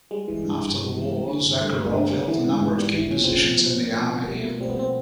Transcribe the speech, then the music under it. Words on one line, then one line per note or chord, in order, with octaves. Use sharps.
After the war, Zakharov held a number of key positions in the army.
G3 G#3
E3
G2
G2
G3
E3
G3 A#3
D3
G2
G2 A3
G3 G#3
A#3
D3 B3
G3 A#3
B3
E3
G#2
G#2
G3
E3
A#2 C#4
F3 C4
C#4
A#2
F3 C4
A#2
F3
B2 B3
G3 A#3
A3
B2 A#3
G3 C4
B3
B2 C4